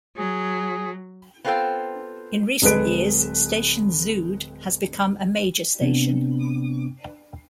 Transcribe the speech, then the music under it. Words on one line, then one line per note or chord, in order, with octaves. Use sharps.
In recent years Station Zuid has become a major station.
F#3 G#4
B3 C4 F4 A4 C5 G5
D1 G#3 A4 B4 D7
C3 B3 C4 D4